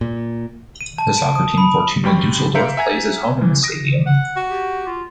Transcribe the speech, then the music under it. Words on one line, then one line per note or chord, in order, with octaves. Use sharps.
The soccer team Fortuna Düsseldorf plays as home in the stadium.
A#2
D#7
A5
D7
D#6
B5
F#2 G4 G5 B5 C#6
E5 F5 A#5 G6 C#7 D7
E5 F#5 G#5 A#5 G#6
C2 E3
D#6 A#6 D7
F#5
F#4
G4
F4